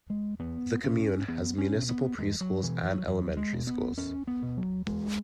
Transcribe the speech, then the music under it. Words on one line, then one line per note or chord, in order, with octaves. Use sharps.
The commune has municipal preschools and elementary schools.
G#3
E2 B3
B2 C#4
E2 B3
C#4
B2
B3
E2 G#3
F#3
B2 E3
F#3
E2 F#3
G#3
B2
B3
E2 C#4
B3
B2
F#3
E2 G#3